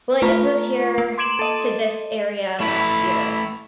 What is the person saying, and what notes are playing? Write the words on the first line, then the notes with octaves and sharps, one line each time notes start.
Well, I just moved here to this area last year,
A3 F4 B4 A#5 C#6
A#3
C6 D6 G#6 D7 E7 F#7
A4 D#5
A3 E4 B4